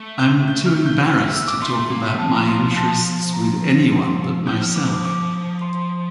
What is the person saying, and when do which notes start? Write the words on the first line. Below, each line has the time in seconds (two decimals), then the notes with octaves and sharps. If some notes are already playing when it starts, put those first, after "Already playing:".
I’m too embarrassed to talk about my interests with anyone but myself.
Already playing: A3
0.19 G6
0.48 G6
0.66 F6
0.86 G6
1.05 A3 F6
1.19 F6
1.33 E6
1.48 D6
1.62 A3 C6
1.76 A3
1.91 A#3
2.05 A3
2.18 F3 A5
2.34 A#5
2.48 C6
2.62 C6
2.76 A5
3.33 A#5
3.91 C6
4.47 F3 G6
4.62 F6
4.76 D6
4.90 D6
5.05 D6
5.61 C6